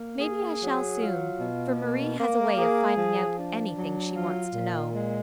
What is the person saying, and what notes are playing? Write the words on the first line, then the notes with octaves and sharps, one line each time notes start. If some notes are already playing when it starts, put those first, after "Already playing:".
Maybe I shall soon, for Marie has a way of finding out anything she wants to know.
Already playing: A#3
G#4
F#3
F4
B2
A#3
A#3
G#4
F3
D4
F#3
F4
A#2
G#3